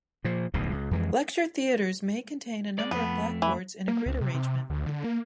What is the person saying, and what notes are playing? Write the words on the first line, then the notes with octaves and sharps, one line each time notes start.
Lecture theatres may contain a number of blackboards in a grid arrangement.
A#2 F3
D1 B1 E2 B2
C#2
F2 E3 G#3
G#3 D5
F2 A3 B3
E3
A#3
C#2
C3
C3
D2
D3
A#3